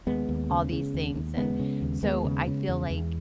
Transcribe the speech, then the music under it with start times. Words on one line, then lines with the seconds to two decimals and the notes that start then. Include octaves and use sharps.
all these things, and so I feel like,
0.07 D#2 G#3 B3
0.29 D#2
0.50 C#3
0.72 C#3
0.94 D#2
1.15 D#2
1.37 C#3 G#3 B3
1.59 C#3
1.82 D#2
2.03 D#2 G#3 B3
2.25 C#3
2.47 C#3
2.68 E2
2.90 E2